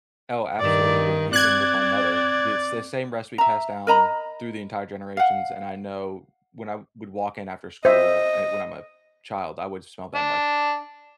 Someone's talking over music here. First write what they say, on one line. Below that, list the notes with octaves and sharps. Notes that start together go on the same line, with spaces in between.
Oh, absolutely, even with my mother, it's the same recipe passed down through the entire generations, and I know when I w would walk in after school, uh, when I'm a child, I would smell that, I'm, like,
G2 D#3 D5
C4 D5 F#6 G#6
E5 A#5
A#4 D#5 A#5 B5
F5 F#5
C5 D#5 E5
D4